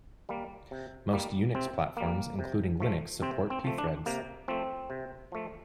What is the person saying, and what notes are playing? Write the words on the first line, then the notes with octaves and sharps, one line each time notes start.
Most Unix platforms including Linux support Pthreads.
G3 A#3
C3
G3 A#3
C3 C4
G3 A#3
C3
F3 A3
C3 C4
C4
F3 A3
D4
C3 A#3
F3 A3 C4
C3
F3 A3